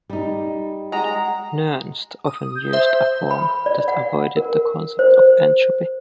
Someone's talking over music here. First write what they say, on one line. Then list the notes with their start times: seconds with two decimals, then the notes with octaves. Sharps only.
Nernst often used a form that avoided the concept of entropy.
0.10 G3 D#4
0.92 G#3 F#5 A#5
2.27 D#6
2.56 G6
2.73 C5 E5
3.31 B5
3.66 D5
3.88 F#5
4.37 A#4
4.99 C5